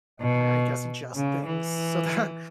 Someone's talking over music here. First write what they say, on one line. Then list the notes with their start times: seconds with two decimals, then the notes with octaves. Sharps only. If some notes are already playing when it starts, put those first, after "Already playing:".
I I guess adjust things so that
0.21 B2
1.16 C#3
1.46 E3